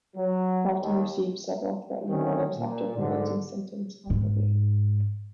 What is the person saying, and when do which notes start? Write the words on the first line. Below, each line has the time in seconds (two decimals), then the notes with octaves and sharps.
Walton received several threatening letters after pronouncing sentence on Libby.
0.16 F#3
0.81 D#2
2.10 D3 D#3 A3 C4 C#4
2.57 A#2
2.97 G#2 D3
4.10 G#2